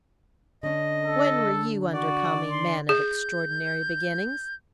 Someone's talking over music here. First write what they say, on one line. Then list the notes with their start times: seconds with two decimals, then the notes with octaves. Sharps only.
'When were you under Kami, man of extraordinary beginnings?'
0.63 D3 C#4 D#5
1.05 A4
1.93 F#4 D5
2.50 C6
2.89 G#4 G6